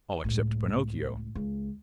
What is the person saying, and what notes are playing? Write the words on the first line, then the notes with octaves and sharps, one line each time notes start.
All except Pinocchio.
C#2 A2
C#2